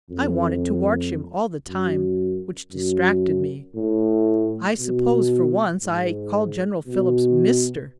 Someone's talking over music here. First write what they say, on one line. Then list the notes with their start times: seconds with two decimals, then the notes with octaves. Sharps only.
I wanted to watch him all the time, which distracted me, I suppose, for once I called General Phillips "Mister!"
0.11 F2
1.67 F#2
2.71 F#2
3.75 A2
4.79 B2
5.83 G#2
6.87 B2